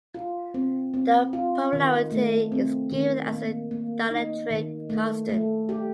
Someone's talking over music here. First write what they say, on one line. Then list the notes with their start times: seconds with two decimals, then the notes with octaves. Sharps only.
The polarity is given as the dielectric constant.
0.15 F4
0.54 C4
0.94 C4
1.33 F4
1.73 D#3
2.12 A3
2.52 C4
2.92 D#3
3.31 A#3
3.71 A#3
4.11 D#4
4.50 D#3
4.90 A3
5.29 A3
5.69 G4